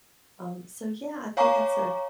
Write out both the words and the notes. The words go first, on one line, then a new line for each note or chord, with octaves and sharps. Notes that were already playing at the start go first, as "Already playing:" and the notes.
Um, so yeah, I think that's a
C#5 F5 G#5 A#5 C#6 D6